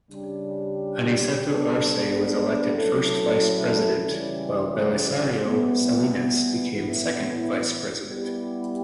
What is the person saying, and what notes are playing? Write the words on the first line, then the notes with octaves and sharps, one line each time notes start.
Aniceto Arce was elected first vice president while Belisario Salinas became second vice president.
C#3 G3 D4 G4
G3 B3 D4 A4
F#3 A3 C#4 E4 A4
C#3 E3 G3 C#4
E3 G3 B3
A2 E3 B3 E4
G3 B3 E4 G4